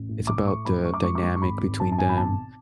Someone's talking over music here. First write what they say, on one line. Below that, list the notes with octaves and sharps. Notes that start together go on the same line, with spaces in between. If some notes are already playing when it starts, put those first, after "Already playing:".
it's about the dynamic between them,
Already playing: A1
A2
A2 D6
A3 C#6
F#2 B5
F#2 C#6
D6
G#3 C#6
D6
G#3 C#6
C#6
G#1 B5
G#1
F#2 A5
A5
G#1 G#5
B5
B1 A5